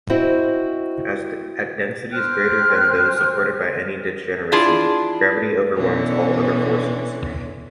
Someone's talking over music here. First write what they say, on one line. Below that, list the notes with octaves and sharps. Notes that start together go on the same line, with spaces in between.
At densities greater than those supported by any degeneracy, gravity overwhelms all other forces.
C4 E4 F#4 C5 D#5
C5 G5 F6 F#6
D4 E4 F4 G#4
B2 D3 E3 C#4